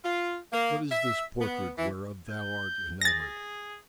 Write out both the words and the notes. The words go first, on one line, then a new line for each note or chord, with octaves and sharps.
What is this portrait whereof thou art enamoured?
F4
A#3
E5
B3
E3
G6
G#4 A6 A#6